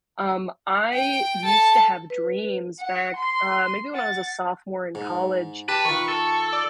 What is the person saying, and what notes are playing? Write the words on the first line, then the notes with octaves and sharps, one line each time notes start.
Um, I used to have dreams back, uh, maybe when I was a sophomore in college
G5
A4 A5
B4
F#5
C6
F#5 A6
G#2
G4 B4 A5
D#3 F4 C#6
A4
D5